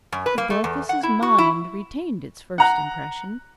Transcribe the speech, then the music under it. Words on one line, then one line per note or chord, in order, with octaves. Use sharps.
But Dorcas's mind retained its first impression.
F#2
B4
A#3
A3
E2
F#5
E4
F#4
E4
F#5 A#5 F#6